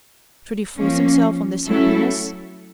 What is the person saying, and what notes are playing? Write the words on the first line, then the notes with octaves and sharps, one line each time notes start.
Should he force himself on this happiness?
F3 A#3 C#4
F#3 A3 C#4 E4 A4